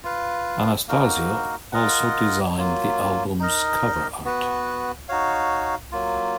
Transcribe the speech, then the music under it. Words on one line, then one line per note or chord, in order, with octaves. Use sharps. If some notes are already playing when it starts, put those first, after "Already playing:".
Anastasio also designed the album's cover art.
F4 B4 F5
A#3 D#4 F#4 A#4
F4 A#4 D#5 F#5
F#3 A#3 F4
D#4 A#4 D#5
B3 F#4 B4
D#4 F#4 C#5 F5
F#3 A#3 F4